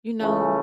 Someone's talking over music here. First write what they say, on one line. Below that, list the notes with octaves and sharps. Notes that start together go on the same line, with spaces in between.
You know
C#2 C#3 E3 A3 C#4